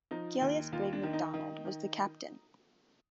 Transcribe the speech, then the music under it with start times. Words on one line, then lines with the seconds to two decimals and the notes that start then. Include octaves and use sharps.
Gilleasbuig Macdonald was the captain.
0.11 F3 D#4
0.42 D#2
0.72 D#2 F4
0.93 D4
1.03 D#3
1.13 D#4
1.34 D#3
1.65 D#3